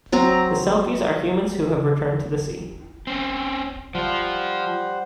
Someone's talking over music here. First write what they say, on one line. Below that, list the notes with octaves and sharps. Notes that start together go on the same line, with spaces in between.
The selkies are humans who have returned to the sea.
F#3 C4 A#5
C4 C#4
F3 G3 F4 C5 F#5